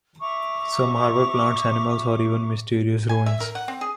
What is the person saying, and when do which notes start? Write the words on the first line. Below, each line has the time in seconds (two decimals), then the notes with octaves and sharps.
Some harbour plants and animals, or even mysterious ruins.
0.20 E5 A#5 C#6 D6
3.09 G#5
3.26 E5
3.40 A#4
3.55 F#5
3.68 C4
3.81 G#4